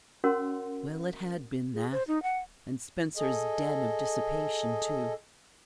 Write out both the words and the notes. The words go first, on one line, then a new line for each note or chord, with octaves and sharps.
Well, it had been that, and Spencer's den of dissipation too!
C#4 F#4 A#4 C#5 F#5 C6
G#4
C5
D#4
F#5
G#4 A4 D#5